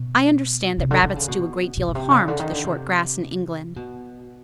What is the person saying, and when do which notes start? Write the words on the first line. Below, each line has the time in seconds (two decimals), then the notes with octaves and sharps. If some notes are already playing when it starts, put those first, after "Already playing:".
I understand that rabbits do a great deal of harm to the short grass in England.
Already playing: B2
0.78 C3
0.91 D3
1.03 D3
1.16 C#3
1.28 B2
1.77 B2
1.88 B2
1.95 C3
2.11 C#3
2.28 D3
2.40 D#3
2.53 D3
2.64 C3
3.76 B2